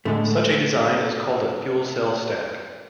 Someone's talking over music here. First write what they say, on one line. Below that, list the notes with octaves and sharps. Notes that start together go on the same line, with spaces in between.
Such a design is called a "fuel cell stack".
A2 D3 G#3 A3